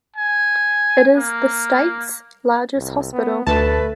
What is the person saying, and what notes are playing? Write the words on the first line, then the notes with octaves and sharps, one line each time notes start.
It is the state's largest hospital.
G#5
A#3
C2
B3
D2 A3 B4 A5